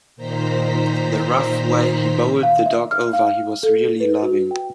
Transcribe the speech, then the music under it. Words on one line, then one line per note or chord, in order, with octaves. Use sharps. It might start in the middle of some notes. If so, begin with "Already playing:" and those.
The rough way he bowled the dog over was really loving.
A#2 D#3 C5 A#5 B6
F5
E5
F6
F5
A4
B4
F#4
G5